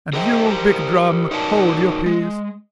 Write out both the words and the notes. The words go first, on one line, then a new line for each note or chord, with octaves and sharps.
And you, big drum, hold your peace!
G#4 A#4 C5 D#5 E5 G5
G4 A#4 C5
D#4 F#4 A#4 C#5 D5 A5
G#3